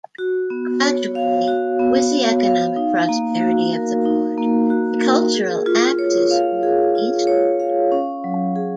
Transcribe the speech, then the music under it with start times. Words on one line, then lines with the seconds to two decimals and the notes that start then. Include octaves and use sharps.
Gradually, with the economic prosperity of the port, the cultural axis moved eastward.
0.18 F#4
0.50 B3
0.83 C#5
1.15 F5
1.47 F#4
1.79 B3
2.11 C#5
2.44 F5
2.76 D#4
3.09 A#3
3.40 F#4
3.73 A#4
4.05 D#4
4.38 A#3
4.70 F#4
5.02 A#4
5.34 G#4
5.66 F4
5.98 C#5
6.31 F5
6.63 G#4
6.95 F4
7.27 C#5
7.60 F5
7.92 C#4
8.24 F#3
8.56 G#4